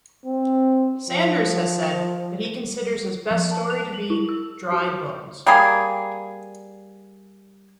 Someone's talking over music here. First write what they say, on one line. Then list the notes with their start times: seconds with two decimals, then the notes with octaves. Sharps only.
Sanders has said that he considers his best story to be "Dry Bones".
0.25 C4
1.10 F3
3.31 F3
3.51 A5
3.70 F7
3.94 F#7
4.10 E4
4.29 E6
4.72 F#4
5.46 G3 A#3 G#4